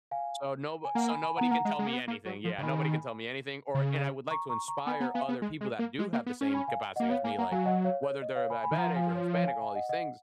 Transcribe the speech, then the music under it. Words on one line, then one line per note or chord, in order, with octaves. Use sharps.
So no so nobody can tell me anything. Yeah, nobody can tell me anything. Or and I would like to inspire other people that do have the same capacity as me, like, whether they're a diabetic or Hispanic or all these things.
F5 G#5
G#5
A#3 F#5 A#5
G#5 B5
G#5 B5
F#5 A#5
B3
A#3 F#5 A#5
G#3
G#3
A#3
B3
A#3
F#3
F3
C#3
D#3 G#5 B5
C#3
A#5 C#6
A#5 C#6
A#5 C#6
B3 G#5 B5
B3 F#5 A#5
B3 F5 G#5
B3
G#3
G#3
A#3
G#3
A#3
B3
C#4
G#5 B5
F5 G#5
D#5 F#5
A#3
B3 C#5 F5
A#3 F5 G#5
A#3 F#5 A#5
F#3 F5 G#5
D#5 F#5
C#5 F5
C#5
D#5
C#5 F5
G#5 B5
G#5 B5
D#3
F3 F#5 A#5
F5 G#5
C#5
C#5 F5
F5 G#5
F5 G#5
D#5 F#5
D#5 F#5